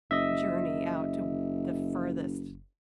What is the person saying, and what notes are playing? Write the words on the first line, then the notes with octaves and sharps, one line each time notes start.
journey out to the furthest
F#1 D#5 E5